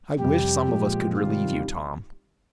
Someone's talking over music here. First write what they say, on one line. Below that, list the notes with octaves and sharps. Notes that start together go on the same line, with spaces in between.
"I wish some of us could relieve you, Tom."
F2 C3 G3 G4
A#2 F3 G#3
C3 D#3 G3 F4